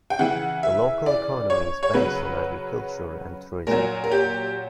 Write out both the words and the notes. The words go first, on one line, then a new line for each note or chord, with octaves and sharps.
The local economy is based on agriculture and tourism.
G5
C#3 E3 F#5
E5
D5
C#5
C#5
C#3 F#3 B4
A#2 F#3 A#4
A#4
G4